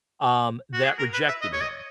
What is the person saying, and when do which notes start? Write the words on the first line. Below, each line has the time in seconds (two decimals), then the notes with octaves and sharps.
um, that rejected him
0.73 F#4
0.84 G#4
0.99 A#4
1.13 B4
1.28 E5
1.41 D#5
1.53 C#5
1.61 D#5